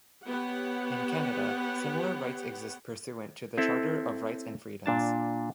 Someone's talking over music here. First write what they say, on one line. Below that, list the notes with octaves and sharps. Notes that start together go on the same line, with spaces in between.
In Canada, similar rights exist pursuant to the "Charter of Rights and Freedoms".
B3 G4 C#5 F#5
C4 E4 A4
A#2 D4 A5